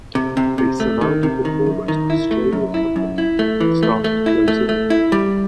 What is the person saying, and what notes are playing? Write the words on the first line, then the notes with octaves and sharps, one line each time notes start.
They surrounded the foremost Australian Company and started closing in.
C3
C3
C3
A3
D#3
C3
D#3
F#2
D#3
E4
A3
F#2
E4
F#2
E4
A3
E3
A3
A3
E4
A3
A3
E4
G3